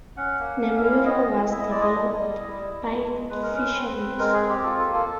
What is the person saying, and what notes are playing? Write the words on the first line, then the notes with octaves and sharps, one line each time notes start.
Nemuro was developed by fisheries.
C#4 F#5
A#3
C#4 F5
E5
E4 F5
B3 D#5
E4
E4 E5
D#5
G#3 D5
D#5
G3
G3
E4
E4
G#3
G#3
G#3 B4
A#4
C#4
B4
C4
C4
G#3 A#4
G#4
C4
G4
F4 A4
A4
A#3
A4